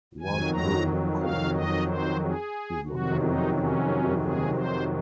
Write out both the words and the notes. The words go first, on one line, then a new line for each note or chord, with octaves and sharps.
Wartburg College is located in Waverly.
F2 D#3 F#3 G#5
A#5
F5
D#5
C5
G#4
F2 C3 D#3 F#3 F#4
D#4
C#4
G#4
C5